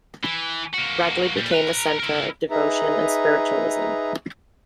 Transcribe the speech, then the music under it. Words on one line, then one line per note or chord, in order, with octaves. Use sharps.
Ragley became a centre of devotion and spiritualism.
E3
A#3 F#4
A#2 G3
B4 A#5
E4 A#4
D#4 G#4 B4 E5 A#5